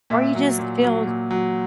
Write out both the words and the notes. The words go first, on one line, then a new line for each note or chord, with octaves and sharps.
Or, you just feel
A#2 E5
F#3
A#2
F#3
A#2
F#3